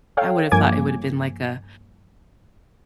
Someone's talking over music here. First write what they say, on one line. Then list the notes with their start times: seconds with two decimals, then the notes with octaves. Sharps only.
I would have thought it woulda been like a
0.17 A4 C#5 F5 G5
0.52 G2 F3 A#3 G#5 D6 G#6